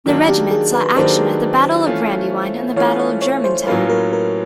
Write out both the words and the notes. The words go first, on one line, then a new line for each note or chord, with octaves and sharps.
The regiment saw action at the Battle of Brandywine and the Battle of Germantown.
D#3 F#3 A#3 D4
G4
G#4
B4
D#3 F#3 A#3 D4 C5
E3 A3 C#4 F4
E3 A3 C#4 F4 C#5
C#5
C#5
C5
A2 F#3 A#3 C#4 F4 B4
A#4
A#4